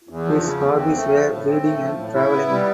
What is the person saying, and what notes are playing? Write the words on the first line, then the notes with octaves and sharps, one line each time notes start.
His hobbies were reading and travelling.
E2
F3
C#3
E2
C4
A3
F3
A2
C4
A3
F3
A2
E4
B3
G3